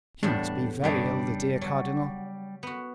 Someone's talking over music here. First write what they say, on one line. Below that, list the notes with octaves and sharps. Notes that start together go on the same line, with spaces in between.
"He must be very ill, the dear cardinal!"
E2 A2 G3 D4
G2 C#3 G3 D4 A#5
F#3
B3 F#4